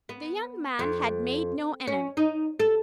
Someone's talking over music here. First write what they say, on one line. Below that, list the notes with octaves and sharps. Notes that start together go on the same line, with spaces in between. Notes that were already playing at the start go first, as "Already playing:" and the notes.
The young man had made no enemy.
B3
F2
C#4
D#4
A4